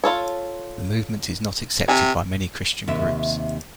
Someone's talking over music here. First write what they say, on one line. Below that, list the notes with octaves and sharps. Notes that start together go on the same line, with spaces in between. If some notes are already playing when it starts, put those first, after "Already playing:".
The movement is not accepted by many Christian groups.
F4 A4 C#5
C3 G#5
D#2 C3 E5